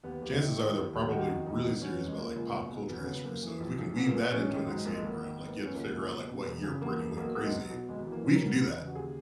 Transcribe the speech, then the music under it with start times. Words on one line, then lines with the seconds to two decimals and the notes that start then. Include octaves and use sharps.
chances are they're probably really serious about, like, pop culture history, so if we can weave that into an escape room, like, you have to figure out, like, what year Britney went crazy, we can do that.
0.03 D#2 B3
0.22 D#2
0.28 D#4
0.39 D#3 E4
0.57 D#3
0.75 D#2
0.93 D#2
1.11 D#3 F#4
1.29 D#3
1.46 E1 D#4
1.64 B2
1.82 E2 C#4
2.00 E1
2.08 G#3
2.18 C#2 A#3
2.36 C#2
2.53 B2
2.72 B2
2.89 G#1 B3
2.96 C#4
3.04 C#3 B3
3.24 F#2 A#3
3.43 E3
3.60 A#1
3.78 A#1
3.96 A#2 B3
4.06 A#3
4.14 A#2 B3
4.32 A#1 C#4
4.50 D#3
4.67 G#2 F#3
4.76 G#3
4.85 A#1 A#3
4.94 G#3
5.03 G#1 A#3
5.21 D#3
5.39 G#2 B3
5.48 A#3
5.56 G#1 B3
5.65 C#4
5.74 C#2 A#3
5.92 C#2
6.10 B2
6.28 B2
6.46 E1
6.64 C#3
6.81 E2 A#3
6.99 E1
7.17 B1 A#3
7.35 B1 A#3
7.44 G#3
7.53 B2 F#3
7.70 B2
7.89 G#1 G#3
8.00 F#3
8.07 E3
8.12 A#3
8.24 F#2 C#4
8.36 A#4
8.42 G#1
8.48 B4
8.60 E1 B4
8.78 C#3
8.88 F#4
8.95 D#2 G#4